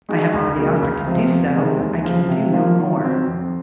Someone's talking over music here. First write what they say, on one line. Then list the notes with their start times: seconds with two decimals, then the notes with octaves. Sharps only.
I have already offered to do so--I can do no more.
0.09 G#3 D#4 F#4
0.33 C#2
0.57 C#3 F#3 A#3
0.82 C#2
1.06 C3 F3
1.30 F2
1.54 C3 D#3 G#3
1.79 D#2
2.03 C#3 F3
2.28 C3
2.52 F3 A#3 F4
2.76 D#3
3.00 F#3 C4
3.26 F2